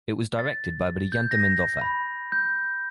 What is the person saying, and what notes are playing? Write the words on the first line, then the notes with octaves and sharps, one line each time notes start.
It was directed by Brillante Mendoza.
A6
G6
A#6
B5
G6